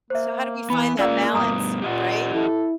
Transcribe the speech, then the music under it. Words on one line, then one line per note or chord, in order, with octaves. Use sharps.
So how do we find that balance, right?
A#3 C5 E5
E3 B3 B5
A#3 C#4 F4 G#4 D5 F5 E6
G2 B2 A#5 D#6
A#2 G4 D#5 F#5
E4 A4